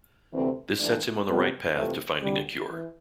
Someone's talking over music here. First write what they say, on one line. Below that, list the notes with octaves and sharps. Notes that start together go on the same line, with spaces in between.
This sets him on the right path to finding a cure.
D2 C3 E3 A3 C4
G2 E3 A3 D4
F2 C3 G3 B3
F2 C3 E3 A3
D2 D3 G3
E3